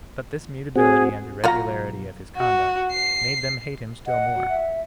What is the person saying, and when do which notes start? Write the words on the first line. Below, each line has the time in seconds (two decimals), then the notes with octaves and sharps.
But this mutability and irregularity of his conduct made them hate him still more.
0.76 C4 F#4 G#4
1.44 B1 F4 F#4 F5 A#5
2.37 F#4
2.91 C7
4.07 D#5 F#5
4.36 F#4
4.49 E5